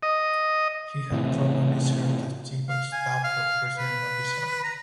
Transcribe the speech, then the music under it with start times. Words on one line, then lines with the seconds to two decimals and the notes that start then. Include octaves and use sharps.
He had formerly served as Chief of Staff for President Macky Sall.
0.03 D#5
1.12 A2 C3 E3
2.69 F5
2.92 G#5
3.24 F5
3.78 B4
4.64 A#5